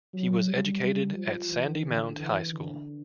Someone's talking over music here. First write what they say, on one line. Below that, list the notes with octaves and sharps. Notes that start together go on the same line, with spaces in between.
He was educated at Sandymount High School.
F#3
G3
G3
F3
E3
D3
E3
D3